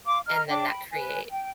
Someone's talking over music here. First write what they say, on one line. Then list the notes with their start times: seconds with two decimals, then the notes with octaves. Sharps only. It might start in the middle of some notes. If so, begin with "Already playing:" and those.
and then that create
0.06 F5 C6 D6
0.27 D#5 A#5 F6
0.48 D4 G5 D6
0.69 G5 B5
0.92 B4 G#5
1.30 G5